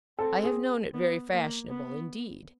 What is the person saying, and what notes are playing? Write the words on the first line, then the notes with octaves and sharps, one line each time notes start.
I have known it very fashionable indeed.
C4 A4
G#4
B3
A#3
B3